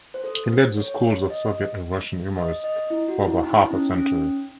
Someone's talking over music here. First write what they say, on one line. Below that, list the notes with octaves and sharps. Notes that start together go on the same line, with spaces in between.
He led the school of Soviet and Russian humorists for about half a century.
C5
A4
C#5
D#5
D#5
D#5
E4
F#4
E4
D#4
C#4
C#4